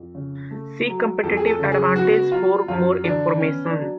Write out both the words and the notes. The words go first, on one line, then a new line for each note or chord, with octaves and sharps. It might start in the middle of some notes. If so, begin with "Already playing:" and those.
See competitive advantage for more information.
Already playing: F2
C#3
A3
F#3
F2 A4
G#4
A4
C#3
G#4
B3 F#4
F#3 F4
F#2 F4
D3 D4
B3 C#4
D4
F#3